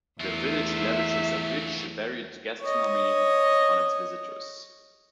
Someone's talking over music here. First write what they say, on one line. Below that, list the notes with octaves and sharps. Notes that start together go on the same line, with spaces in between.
The village lavishes a rich, varied gastronomy on its visitors.
E2 F#3 A3 F4 E5
C#5 D#5